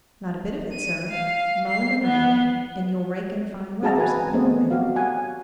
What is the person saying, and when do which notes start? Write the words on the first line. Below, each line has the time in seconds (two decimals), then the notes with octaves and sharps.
"Not a bit of it, sir; mow in the rain, and you'll rake in fine weather!" said the old man.
0.73 D#7
1.09 F5
1.68 C7
2.03 B3
3.83 C4 F#4 G#4 F5 A5 A#5
3.98 B4 G#5
4.34 A3 B3 C4 G#4 D#5
4.70 F#4 G4 F5
4.96 F#5 G#5